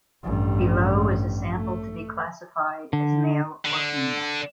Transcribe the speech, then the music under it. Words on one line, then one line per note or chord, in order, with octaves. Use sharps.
Below is a sample to be classified as male or female.
A1 G2
A3
D3
D3